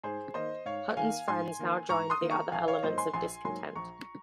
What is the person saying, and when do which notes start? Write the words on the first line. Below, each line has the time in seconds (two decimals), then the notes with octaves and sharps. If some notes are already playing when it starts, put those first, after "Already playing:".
Hutten's friends now joined the other elements of discontent.
0.03 G#2 G#4 C5
0.34 D#3 A#3 C5 D#5
0.65 G#2 C#5 F5
0.97 D#3 A#3 F5 G#5
1.28 G#2 G#5 C6
1.59 D#3 A#3
1.89 G#2 A#5 C#6
2.10 C6 D#6
2.21 D#3 A#3
2.31 A#5 C#6
2.52 A#1 F5 G#5
2.68 C#5 F5
2.83 G#2 F#3 A#3 C5 D#5
2.98 G#5 C6
3.13 A#1 G#5 C6
3.45 G#2 F#3 A#3 G#5 C6
3.75 A#1 A#5 C#6